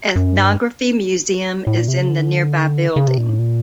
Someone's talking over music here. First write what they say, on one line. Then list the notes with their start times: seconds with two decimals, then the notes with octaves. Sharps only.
Ethnography Museum is in the nearby building.
0.16 F#2
0.37 G2
1.67 A2
1.78 A#2
1.88 C3
1.99 C#3
2.10 D3
2.96 C#3
3.08 C3
3.18 A#2
3.29 A2
3.39 A#2